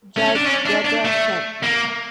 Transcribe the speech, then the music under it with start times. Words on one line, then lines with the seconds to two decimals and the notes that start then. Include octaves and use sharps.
Judge Debra sent me.
0.17 C#4
0.36 D4
0.46 C#4
0.66 D4
0.85 D4
1.05 A3
1.63 A#3